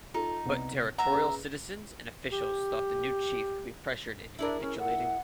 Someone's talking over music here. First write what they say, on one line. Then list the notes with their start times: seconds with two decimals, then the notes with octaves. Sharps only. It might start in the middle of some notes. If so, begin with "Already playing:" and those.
But territorial citizens and officials thought the new chief could be pressured into capitulating.
0.14 D#4 F4 A4
0.46 C2 B3
0.98 E5 F#5 A#5
1.10 C#4 G#4 B4
2.32 G4
4.39 D4 E4 G#4 A#4
4.60 C#4
4.79 F#5